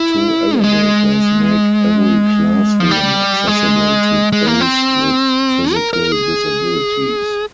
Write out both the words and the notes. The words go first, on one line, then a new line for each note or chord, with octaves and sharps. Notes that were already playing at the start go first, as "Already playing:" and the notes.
Two elevators make every classroom accessible to those with physical disabilities.
Already playing: E4
G3
G#3
F3
G3
G#3
G#3
A#3
C4
A#4
A#4
G#4